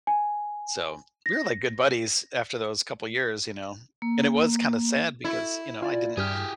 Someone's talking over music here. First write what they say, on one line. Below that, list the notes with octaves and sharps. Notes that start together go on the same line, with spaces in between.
So, we were like good buddies after those couple years, you know, and it was kinda sad because, you know, I didn't
G#5
A#6
A#3
E4 F#4 A4
F4 D5 G#5
G2 G4 G#4 F6